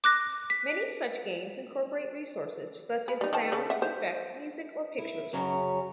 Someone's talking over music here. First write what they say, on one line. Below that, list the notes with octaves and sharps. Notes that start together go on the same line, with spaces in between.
Many such games incorporate resources such as sound effects, music, or pictures.
D6 F#6 A#6
B6
B4
G3 D#4
D#3 A5
C#3
E5 F#5
C5
E4
F#2 C#3 F#3 C#4